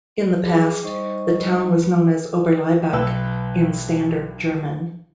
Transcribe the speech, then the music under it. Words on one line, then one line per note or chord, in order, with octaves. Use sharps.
In the past, the town was known as "Oberlaibach" in standard German.
G#4 D6
G3 D#4 C5 D#5 C#6
B1 B4 G5 E6